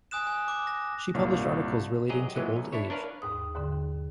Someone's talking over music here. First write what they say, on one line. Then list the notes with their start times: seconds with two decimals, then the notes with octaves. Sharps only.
She published articles relating to old age.
0.11 G#5 D#6 F#6 E7
0.27 G#5
0.48 D6
0.67 A#6
1.14 C2 G2 A#2 F4 C#5 F5
2.09 C2 F#3 G4 G#4 D#5 A#5
2.35 A#2 E3 F#3 G#3 D#5
2.57 B1
2.73 D4 E4 C#5
2.90 D4 A#4 B4 C#5 F5
3.22 D#2 G#2 D#6
3.55 D#2 G#2 D3